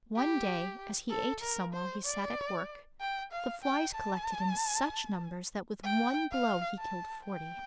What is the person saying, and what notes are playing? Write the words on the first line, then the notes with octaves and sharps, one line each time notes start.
One day, as he ate some while he sat at work, the flies collected in such numbers that with one blow he killed forty.
G4
A4
A#4
C5
D5
G5
F5
G5
A5
G5
F5
A5
G5